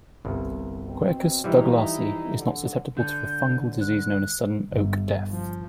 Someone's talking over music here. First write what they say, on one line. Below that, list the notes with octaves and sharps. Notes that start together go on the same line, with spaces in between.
"Quercus douglasii" is not susceptible to the fungal disease known as sudden oak death.
G1 C2
B2 C4
E3 F3 G3 D#4 E4
D3
D3 G6
F#6
G1
F3